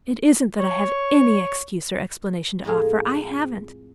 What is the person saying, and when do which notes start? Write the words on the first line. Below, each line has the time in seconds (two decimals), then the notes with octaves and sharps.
It isn't that I have any excuse or explanation to offer; I haven't.
0.60 C#5
2.64 F2 A2 G#3 A#3 G#4 F5